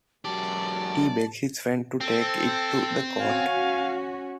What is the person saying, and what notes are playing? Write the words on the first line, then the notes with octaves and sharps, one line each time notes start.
He begs his friend to take it to the court.
B1 F#2 F#3 G#3 G4 D5 A5
C4 A4
C#4 F#4 F5 G#5